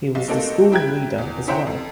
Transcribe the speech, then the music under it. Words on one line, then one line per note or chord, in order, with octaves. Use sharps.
He was the school leader as well.
B1
A3 A#3 C4 D#4 F#4 A4
G3 E4 G5 A#5 F#6 G#6
E2
C#4 E4 C5 F#5 G5 A#5
F2